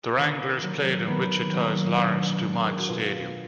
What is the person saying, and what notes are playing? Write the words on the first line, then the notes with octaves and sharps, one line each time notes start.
The Wranglers played in Wichita's Lawrence-Dumont Stadium.
D#3 B3
F#3 A#3
D#3 B3
F#3 A#3
B2 D4
G#3
A#4
G#4
F#4
B2 F4